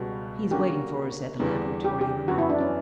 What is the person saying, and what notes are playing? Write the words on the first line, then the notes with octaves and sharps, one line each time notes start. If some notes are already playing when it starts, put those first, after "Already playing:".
"He's waiting for us at the laboratory," I remarked.
Already playing: C#2 B2 G3 F#4
D3 A#3 C#4 F#4 G4
E2 D3 G3 B3 D4
G4
G4
F#2 E3 B3 F#4
E4
D4
C#4